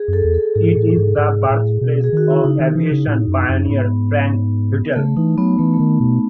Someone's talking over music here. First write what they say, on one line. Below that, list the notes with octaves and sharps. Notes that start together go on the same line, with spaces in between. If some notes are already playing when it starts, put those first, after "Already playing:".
It is the birthplace of aviation pioneer Frank Whittle.
Already playing: G#4
F#2
A4
E2
A4
G#2 G#4
A2
G#2
G#2
A2
B2
G#4
D#3 F#4
E4
C#3 D#4
D#3
E3
C#3
A2
F#2
F#2
G#2 B3
C#3 A3
E3 D#4
F#3 B3
E3 A3
A3
D#3
B2